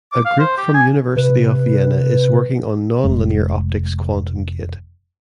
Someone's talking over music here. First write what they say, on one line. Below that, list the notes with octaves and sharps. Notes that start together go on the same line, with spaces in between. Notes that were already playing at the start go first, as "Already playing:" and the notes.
A group from University of Vienna is working on nonlinear optics Quantum gate.
D6
F5
C5
G4
G#5
C3 B4
F1 G#3